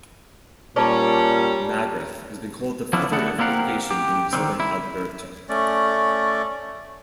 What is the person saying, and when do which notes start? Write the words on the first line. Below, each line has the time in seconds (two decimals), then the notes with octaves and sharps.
Magrath has been called "The Father of Irrigation in Southern Alberta".
0.76 A#2 G3 C#4 D5 A5 A#5
2.93 F3 F#3 B3 C#4 D4 E4
3.12 A3 E4 G#4 A4 D5 F#5
3.38 A#3 C4 G4 A#4 F5 F#5
3.91 G4
4.33 D3 D#3 G3 C4
4.60 E4
5.49 A3 C#4 D5